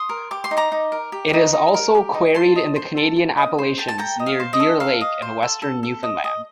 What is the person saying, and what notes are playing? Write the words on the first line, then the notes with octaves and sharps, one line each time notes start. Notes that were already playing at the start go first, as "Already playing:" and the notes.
It is also quarried in the Canadian Appalachians near Deer Lake in Western Newfoundland.
Already playing: C6 D#6
A#4
G4 D6
C6
D#4
A#5 D6
D#4
A#4
G4
D#4
D#4
A#4
G4
D#4
A4 A5 C6
D#5
C5
A4
A4
D#5
C5
A4 G5
A5
A4 G5 A#5
D#5
F5
C5
D#5
A4
A4 F5
D#5
C5
A4
A4
A4
D#5
D#5